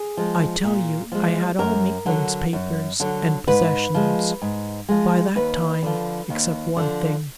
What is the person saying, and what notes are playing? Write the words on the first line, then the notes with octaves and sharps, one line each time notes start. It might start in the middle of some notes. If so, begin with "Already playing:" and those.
I tell you I had all Maitland's papers and possessions, by that time--except one thing.
Already playing: G#4
F3 G#3
A#2
F3 G#3
F#2 A#4
D3 F#3
F#2
D3 F#3
G#2 B4
F3 G#3
G#2
F3 G#3
D#2 B4
D3 F3
D#2
D3 F3